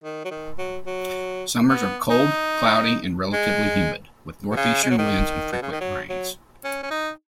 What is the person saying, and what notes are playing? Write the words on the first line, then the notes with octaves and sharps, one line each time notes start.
Summers are cold, cloudy and relatively humid, with northeastern winds and frequent rains.
D#3
F#3
D#3
F#3
F#3
B3
D#4
G#3
B2
C#3
G#3
F#3
D#3
B2
C#3
D#3
F#3
F#3
C#4
C#4
D#4